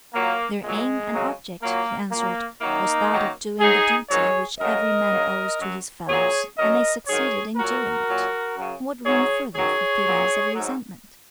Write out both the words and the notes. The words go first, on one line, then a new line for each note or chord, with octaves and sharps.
"Their aim and object," he answered, "was that of doing the duty which every man owes to his fellows, and they succeeded in doing it;--what room further for feelings of resentment?"
A#2 F#3 A#3
A#2 F#3 G#3
F#2 C#3 F#3
A#2 F#3 A#3
A#2 F#3 A#3
F#2 D#3 F#3 A#3 D#4
F#2 D#3 F#3
G#2 F#3 D#4 G#4
G#2 D#3 F#3 G#4 C#5
F#2 C#3 F#3 A#4 D#5
F#2 C#3 F#3
F#2 F#3
A#2 F#3 G#4 C#5
F#2 F#3 A#4 D#5
G#2 D#3 F#3 G#4 C#5
A#2 F#3 F#4 A#4
A#2 F#3
F#2 C#3 F#3
G#2 F#3 G#4 C#5
F#2 D#3 F#3 G#4 C#5
A#2 F#3
G#2 F#3